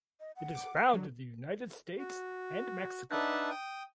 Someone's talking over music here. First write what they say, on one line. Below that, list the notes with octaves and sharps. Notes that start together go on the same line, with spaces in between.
It is found in the United States and Mexico.
D#5
F#5
D6
C7
F#3 D4
F#4
D4 D#4 B4 E5 F#5 A5
G5 D#6